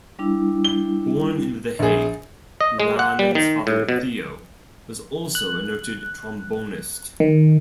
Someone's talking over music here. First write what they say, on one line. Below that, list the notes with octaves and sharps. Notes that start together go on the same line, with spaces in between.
Born in The Hague, Laanen's father Theo was also a noted trombonist.
G3 D4 E4
G7
A#1 G#4
D#5
G#3
F#5
G3
D#3
A2
B2
F#6
D#3